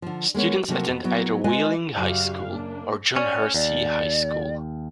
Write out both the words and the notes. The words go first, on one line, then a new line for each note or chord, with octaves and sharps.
Students attend either Wheeling High School or John Hersey High School.
D3 F3
G#3 A#3 B3 C#5
C3 F3 F#3 A3 A#3 F#4
F2 B3
F#3 B3 E4
G#3 F4 B4 D#5 G#5
F#2 C#3 F#4 G4 D5 F5
A#3 D4
C#4 D5
D#2 D5